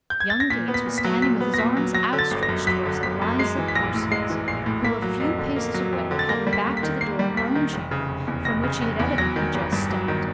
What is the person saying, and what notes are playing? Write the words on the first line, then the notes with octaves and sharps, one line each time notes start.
Young Gates was standing with his arms outstretched toward Eliza Parsons, who, a few paces away, had her back to the door of her own chamber, from which she had evidently just stepped.
G6
G#6
A6
A#6
A#2 B6
B3
B6
A#2
B6
F#3
A#2 B6
B3
A#6
A#2 B6
F#3
F#3 A#6
D3
A6
G1
A#6
F#2
F#3 B6
D3
G1 B6
F#2
G#3 C7
E3
B6
A#1 A#6
A2
G#3 C7
E3
A#1 C7
A2
A#3 B6
F#3
F2
D3
A#3
F#3
F2
D3
A6
A#3 A#6
G3
B6
D#2
B6
D#3
A#3 C7
G3
D#2 B6
D#3
F1
C#3
F1
E2
F1 A#6
C#3
F1
E2
F#3 A#6
D#3
G1
G2
F#3
D#3